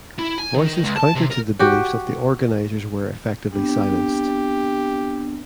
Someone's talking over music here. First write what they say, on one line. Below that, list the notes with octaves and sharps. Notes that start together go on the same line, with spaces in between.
Voices counter to the beliefs of the organizers were effectively silenced.
E4
G#5
D#3
C#2
A5
C3
A#4
F#4 G4
B3 C4 D4 G4